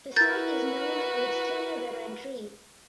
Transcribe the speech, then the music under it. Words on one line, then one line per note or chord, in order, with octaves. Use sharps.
The site is known of its tilia veteran tree.
E4 F#4 A#4 B4 G6 A6